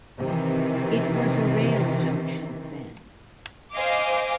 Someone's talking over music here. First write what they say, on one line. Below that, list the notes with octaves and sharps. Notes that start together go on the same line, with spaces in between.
It was a rail junction then.
C3 D#3 E3
C5 D#5 F5 G#5 D6